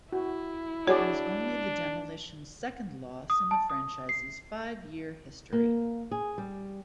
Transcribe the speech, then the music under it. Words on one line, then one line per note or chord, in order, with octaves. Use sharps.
It was only the Demolition's second loss in the franchise's five-year history.
E4 F#4
D4 F#4 G#4 C#5 D5
D#6
A5
D#6
C7
A#3
G#4
G3